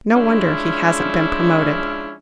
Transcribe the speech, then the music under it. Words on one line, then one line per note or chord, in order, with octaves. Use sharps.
No wonder he hasn't been promoted.
F3 G#3 C#4 D4 E4